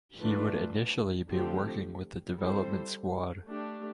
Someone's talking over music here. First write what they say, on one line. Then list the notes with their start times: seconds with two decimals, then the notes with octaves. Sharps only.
He would initially be working with the development squad.
0.20 E3 A3 D4 F4 B4
1.29 D3 F3 A3 C4 G4
2.37 G3 C4 E4 A4 C5
3.46 A3 D4 G4